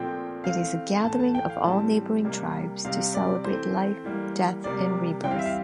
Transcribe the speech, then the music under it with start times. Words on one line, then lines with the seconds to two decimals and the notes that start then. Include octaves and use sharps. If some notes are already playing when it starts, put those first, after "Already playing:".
It is a gathering of all neighbouring tribes to celebrate life, death, and rebirth.
Already playing: A#2 F3 A3 C4 G5
0.44 E3 A3 C4 F5
1.04 A2 E3 A3 A5
1.20 A5
1.35 G5
1.50 F5
1.64 A2 E3 G3 C4 A5
2.24 C3 G3 A#3
2.85 C3 G3 C4 F5
3.15 D5
3.45 E3 A3 C4 C5
4.04 E3 G3 A#3
4.64 C3 G3 A#3 D5
5.24 E3 G3 C4 G5
5.31 F5
5.39 E5
5.46 F5